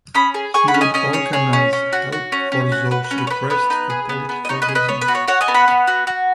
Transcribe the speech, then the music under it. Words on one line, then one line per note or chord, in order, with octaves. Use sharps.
He would organize help for those repressed for political reasons.
C#4 B5 D#6
G#4
G#4 G#5 C#6
F#5 B5
C#4
D#5 G#5
C#4 D#5 G#5
G#4 C#5
G#4 C#5
C#4
C#4
F#4
F#4
C#4
C#4
F#4
F#4 B4
B4
C#4
B4
C#5
B3 B4
B3 B4
D#4 B4
G#4
B3
B3
D#5
D#4 C#5
B4 D#5
G#4
B4 D#5
B3 C#5
B4
F#4
C#5
F#4 C#5 F#5
D#5 G#5
B3
F#5 B5
B3
F#4
F#4